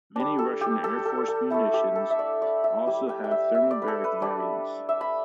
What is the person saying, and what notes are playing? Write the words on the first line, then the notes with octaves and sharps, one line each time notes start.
Many Russian Air Force munitions also have thermobaric variants.
G3 D4
A4
G4
A4
A4
A4
A3 E4 A4
G4
A4
E5
D5
D5
E5
G3 E4
G5
G5
E5
E5
D5
B4
A4
B4
G3 D4 D5
E5
B5